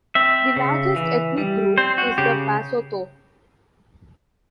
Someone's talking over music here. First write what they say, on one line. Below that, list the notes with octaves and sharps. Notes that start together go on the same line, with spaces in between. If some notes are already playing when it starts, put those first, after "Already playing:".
The largest ethnic group is the Basotho.
C4 E5
C#3
E3
G3
C4 C5
F#4
C#3 G4